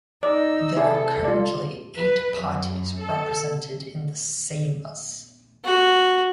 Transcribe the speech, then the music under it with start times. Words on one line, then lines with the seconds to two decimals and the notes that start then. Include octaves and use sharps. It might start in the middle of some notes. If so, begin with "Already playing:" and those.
There are currently eight parties represented in the Seimas.
0.23 D#4 D5 E6
0.76 C3 E4 G#4 A4 D5
1.24 F4 D5
1.97 B4
2.43 F#2
3.02 A4
5.65 F#4